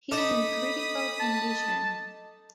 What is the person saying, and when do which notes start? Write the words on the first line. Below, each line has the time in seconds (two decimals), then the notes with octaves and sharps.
He's in critical condition.
0.11 D#4 A4 D#5 B5 D6 D#6 E7
1.20 A5